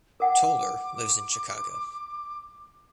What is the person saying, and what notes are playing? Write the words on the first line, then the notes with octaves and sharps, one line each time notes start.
Toler lives in Chicago.
A#4 F#5 G5 D6